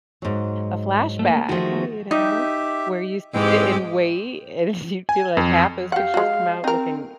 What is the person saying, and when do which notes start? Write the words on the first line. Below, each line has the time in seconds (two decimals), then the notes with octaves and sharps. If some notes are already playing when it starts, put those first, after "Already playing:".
a flashback, huh, you know, where you sit and wait, and you feel, like, half those pictures come out looking
0.22 G#2 F#3
1.19 A3 A#3
1.49 D#3 F3 G#3 A3 F#4
2.11 D#4 G4 E5
3.34 G#2 E3 G#3 C4 G4 G5 E6
5.09 G#5
5.37 F2
5.92 G4 F5 F#5
6.14 G#3 F#4
6.64 C4 D#4 A#4